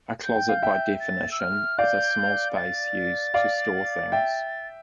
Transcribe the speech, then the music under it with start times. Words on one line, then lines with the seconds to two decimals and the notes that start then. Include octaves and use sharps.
A closet by definition is a small space used to store things.
0.23 G6
0.36 G5
0.49 F5
0.63 E5 G5
1.00 A6
1.32 E6
1.40 F6
1.78 D5 F5 G6
2.56 A6
3.34 D5 F5
4.12 E5 G5